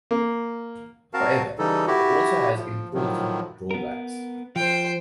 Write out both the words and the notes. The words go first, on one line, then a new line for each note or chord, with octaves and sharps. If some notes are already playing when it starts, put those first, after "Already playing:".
However, it also has important drawbacks.
A#3
C4 F#4 A#4 F5 A5
C#3 E3 G3 D#4 A4
E4 F#4 G4
F3
A2 D#3 F3 F#3
B3 A#4
F3 C5 G5